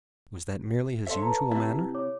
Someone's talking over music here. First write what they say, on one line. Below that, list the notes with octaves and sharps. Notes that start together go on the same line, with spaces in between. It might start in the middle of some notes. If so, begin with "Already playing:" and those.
Was that merely his usual manner?
A4 C5 C#5 E5 C6
B4 A5 A#5
C3 E4 E5
C#5 D6